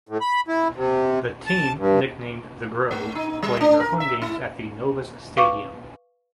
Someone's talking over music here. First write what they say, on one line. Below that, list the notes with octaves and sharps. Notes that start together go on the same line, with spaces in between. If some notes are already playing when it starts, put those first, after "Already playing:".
The team, nicknamed "The Grove", play their home games at The Novus Stadium.
A2
B5
E4
C3
A5
G2
A3
D#4
G3
D4
A#4
E5
E4
B4 F5 C#6 D6